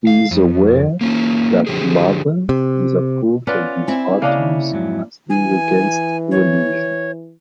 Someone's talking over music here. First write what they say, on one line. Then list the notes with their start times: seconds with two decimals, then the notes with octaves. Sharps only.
He is aware that "Mother" disapproves of these authors as being against religion.
0.07 F5
0.31 F2
1.01 A#3 C#4 F4
1.67 D3 F3 F#3 G4 G#4
2.49 C3
3.47 B3 C#4 F4 A#4 B4 D5
3.87 C4 E4 G#5
4.22 C#3 A#3 C#4 D4 D#5
4.72 F2 G#2 F#3
5.30 E3 G#5
6.31 C#5